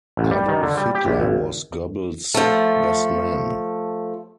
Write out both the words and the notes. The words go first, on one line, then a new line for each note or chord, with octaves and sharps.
Adolf Hitler was Goebbels' best man.
A1
G3
D#3
D3
G3
G4
A#1
G#1
F3 A3